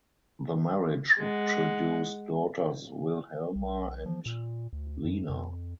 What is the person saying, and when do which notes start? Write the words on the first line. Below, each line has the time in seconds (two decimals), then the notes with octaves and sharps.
The marriage produced daughters Wilhelma and Lina.
1.18 G#3 F#5
3.56 B1
4.06 F3
4.26 A#2
4.73 D2
5.05 F#2
5.29 F2